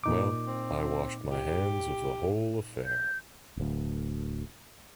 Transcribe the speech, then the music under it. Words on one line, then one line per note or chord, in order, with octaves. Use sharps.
Well, I wash my hands of the whole affair!
A#2 D#4 D6
C4
G4
G6
D1 D2